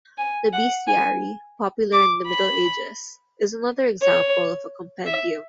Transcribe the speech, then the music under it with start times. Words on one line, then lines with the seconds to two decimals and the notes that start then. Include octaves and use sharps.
The bestiary, popular in the Middle Ages, is another example of a compendium.
0.18 G#5
0.52 F#5
0.87 G#5
1.92 D6
2.28 B5
4.02 C#5
5.06 E5